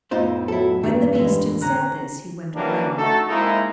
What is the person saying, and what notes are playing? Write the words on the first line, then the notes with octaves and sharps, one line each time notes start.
When the beast had said this, he went away.
F2 A2 B3 D#4 F4 C5
F#3 E4 A4
G2 D#3 D4
E3 G#3
D3 C#4 A#5 F#6
E3 F#3 G3 A#3 C#4 D4
A3 D#4 F#4 A4
G#3 A#3 C4 D#4 E4